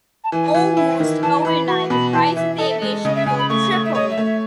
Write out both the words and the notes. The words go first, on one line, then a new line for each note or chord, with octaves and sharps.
Almost overnight, the price of aviation fuel tripled.
A5
E3 G#5
E3
E4
D#3
E3 A5
A5
E3 B5
F#4 C#6
B2 B5
E3 A5
E3 E5
A4 D#5
E5
G#3 D#5
C#3 D#5
E5
C#3 G#5
B5
A3 C#6
A3
E5
C#5 D#5
E5
A3
E5